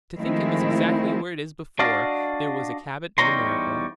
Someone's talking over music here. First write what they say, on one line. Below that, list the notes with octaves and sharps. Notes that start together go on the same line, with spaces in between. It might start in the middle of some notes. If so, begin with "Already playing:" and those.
"To think it was exactly where it is before there was a Cabot in America!"
D#3 F3 G#3 A3 C4 E4
D4 F#4 D5 D#5 F5
E2 G3 D#4 C#5 A#5 C6